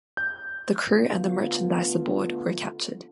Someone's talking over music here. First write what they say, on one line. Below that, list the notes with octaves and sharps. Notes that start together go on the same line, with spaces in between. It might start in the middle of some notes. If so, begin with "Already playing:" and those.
The crew and the merchandise aboard were captured.
G6
D3 A3 B3 F4